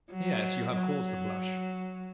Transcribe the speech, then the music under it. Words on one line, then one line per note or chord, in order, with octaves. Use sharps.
Yes; you have cause to blush.
F#3
F#3